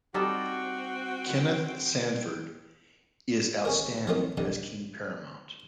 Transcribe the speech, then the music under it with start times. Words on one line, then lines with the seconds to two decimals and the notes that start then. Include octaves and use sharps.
Kenneth Sandford is outstanding as King Paramount.
0.14 G3 C4 D#4 F#4 A4 G5
3.65 C#4 G#4 A#4
4.07 F#3 A3 A#3 C4 F4 D#5
4.37 A#2 D3 G3 D#4